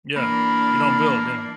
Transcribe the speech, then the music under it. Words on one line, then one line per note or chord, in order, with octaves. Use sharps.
Yeah, you don't build, yeah.
E3 A#3 D4 B5